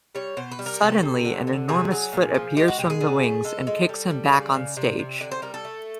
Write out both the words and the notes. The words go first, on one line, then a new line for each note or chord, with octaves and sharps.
Suddenly an enormous foot appears from the wings and kicks him back on stage.
G3 C#5
B2 C5
B4
G3
A#4
C3 A4
C3
D3
D3
C3 G#4
F#3
A#2
F3
G#3 G4
F#4
B2 G4
G#4
D3
A3
G#3 A4
G#3
G3
G3
C#3 D5
C#3
C3 D5
C3
D3 D5
C5
G3 A#4
A4
A3